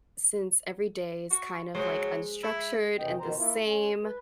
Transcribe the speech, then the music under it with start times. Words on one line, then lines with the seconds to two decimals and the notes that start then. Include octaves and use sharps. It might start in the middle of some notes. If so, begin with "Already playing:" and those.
since every day is kind of, like, unstructured and the same,
1.31 F#4
1.74 F#3 G#3 C5
2.43 E4
2.99 F2 C3 E3 D#5 G5
3.20 B2 D#3 C5 A#5
3.38 A#3 E4 F4
3.65 C#4
4.03 B4